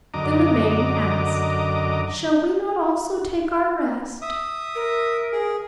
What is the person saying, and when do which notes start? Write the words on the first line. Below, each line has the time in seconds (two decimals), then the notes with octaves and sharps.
Then the Maiden asked: "Shall we not also take our rest?"
0.14 F#2 D3 D#5 A#5 D6
4.22 E5 D#6
4.75 A#4
5.33 G#4